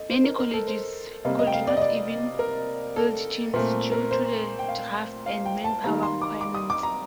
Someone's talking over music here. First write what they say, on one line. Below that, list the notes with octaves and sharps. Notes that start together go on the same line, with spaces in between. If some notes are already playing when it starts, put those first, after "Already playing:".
Many colleges could not even field teams due to the draft and manpower requirements.
Already playing: A4 D#5
C5
A#4
A#4
A4
C5
C3 G3 A#3 D#5
D#5
G5
F5
D5
D#5
D5
A#4
A4
A#2 A3 C4 A#4
A#4
C5
G5
F5
F5
G5
A5
D#3 G3 A#3 A#5
C6
D6
D6
D#6
D6
A#5